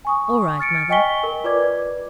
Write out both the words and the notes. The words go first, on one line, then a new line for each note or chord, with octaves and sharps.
'All right, Mother.
G#5 C#6 D#6
F6 A6 C#7 D7
D#5 G5 G#5 C#6 B6 G7
A#4
F4 B4 D5 D6 G#6